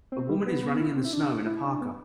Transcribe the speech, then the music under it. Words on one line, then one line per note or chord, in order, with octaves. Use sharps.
A woman is running in the snow in a parka.
C4
G3
B3
B3
E4
D4
C4
E4
D4
E4
D4
B3